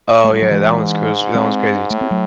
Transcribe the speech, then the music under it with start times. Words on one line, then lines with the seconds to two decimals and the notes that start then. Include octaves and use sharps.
Oh yeah, that one's cruz that one's crazy too.
0.24 F#2 A3
0.33 G#3
0.42 F#3
0.51 E3 G#3
0.79 G#2
1.35 G#3 C4
1.90 A2 A3
2.01 C4
2.11 F#3 A3